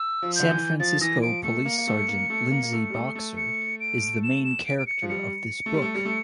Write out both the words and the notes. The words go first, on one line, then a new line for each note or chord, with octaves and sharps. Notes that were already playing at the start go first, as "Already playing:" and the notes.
San Francisco Police Sergeant Lindsay Boxer is the main character of this book.
Already playing: E6
F3
D3 G6
E3
F3 A6
E3 A#6
F3 D7
A3 C#7
A#3
A#3
A3
A#3
A3
A#3
A#3
A3
G3
A3
A3
C#7
D7
E7
E7
D7
D7
C#7
F3
G3 C#7
A3
G3
A3
G3
A3